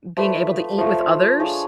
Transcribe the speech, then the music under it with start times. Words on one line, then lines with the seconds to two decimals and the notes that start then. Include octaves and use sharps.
being able to eat with others.
0.17 F3 A3 F4 B4
0.78 F3 A3 F4
1.40 D4 G#4 C#5 F5